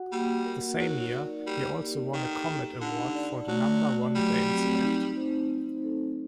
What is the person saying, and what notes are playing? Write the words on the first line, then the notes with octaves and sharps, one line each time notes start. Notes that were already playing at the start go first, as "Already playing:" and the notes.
The same year he also won a Comet Award for the number-one Dance Act.
Already playing: F#4 F#5
G3 A#3
A#4
F#3 D#4
D5
G3 A#3
G4
D#3 A4
D#4
D3 D#4
D5
F#3 A3
F#4
F#3 G3
C4
D#4
C5
C4
A4